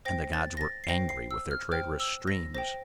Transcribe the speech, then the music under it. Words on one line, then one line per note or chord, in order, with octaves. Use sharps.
And the gods were angry with Their traitorous streams.
C5 G5 A#6
A6
A#6
A6
C7
C5 G5 A#6
C7
E6
F6
C5 G5 F6
E6
A#6
C5 G5 A#6